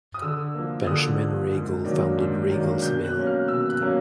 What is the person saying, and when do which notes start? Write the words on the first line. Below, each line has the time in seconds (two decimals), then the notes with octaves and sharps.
Benjamin Riegel founded Riegelsville.
0.14 D#6
0.22 D3 E6
0.55 F3 A#3
0.87 D3 D#6
1.20 F3 A#3
1.52 G#2
1.85 D#3 F#3 A#3 D4
2.17 G#2
2.50 D#3 F#3 A#3 D4
2.82 B2 G6
3.04 F#6
3.15 F#3 A#3 C#4
3.26 F6
3.48 B2 E6
3.70 F#6
3.80 F#3 A#3 C#4